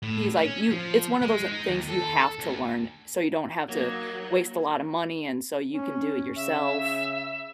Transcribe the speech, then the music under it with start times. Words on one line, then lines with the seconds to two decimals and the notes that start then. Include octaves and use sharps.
he's like, "You it's one of those things you have to learn, so you don't have to waste a lot of money and so you can do it yourself."
0.03 A2
0.37 C#4
0.71 F3
1.22 G#3
1.51 D#4
1.69 D#2
1.89 A4
2.39 D2
3.69 F#3 A#3 D#4
5.73 C#4
6.36 C#3 E5